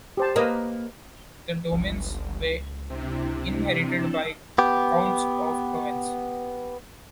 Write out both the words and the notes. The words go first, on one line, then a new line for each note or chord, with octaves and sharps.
The domains were inherited by Counts of Provence.
G4 C5 A5
A#3 B4 D#5 A#5
G1 C#2
C3 C4 D4 E4
B3 G4